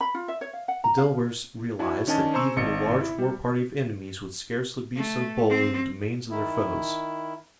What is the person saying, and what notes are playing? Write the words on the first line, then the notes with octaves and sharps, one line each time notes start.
The Delawares realized that even a large war-party of enemies would scarcely be so bold in the domains of their foes.
B5
F4
E5
C#5
F5
F#5
A#5
F5
D4 E4 F#4 G#5
D#3 C#4 D4 D#5 G#5 A5
C5 G#5 A#5 C6 C#6 E6
G#1 D#5 C#7
E4
G3
A3
C4
D#3 E4